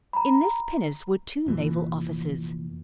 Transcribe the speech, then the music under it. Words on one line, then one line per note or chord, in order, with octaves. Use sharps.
In this pinnace were two naval officers.
A#5 B5
F1 A#2 E3